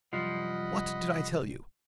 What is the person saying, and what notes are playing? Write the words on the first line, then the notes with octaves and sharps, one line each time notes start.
"What did I tell you?"
C2 F#2 F3 G3 D#5 F#5 B5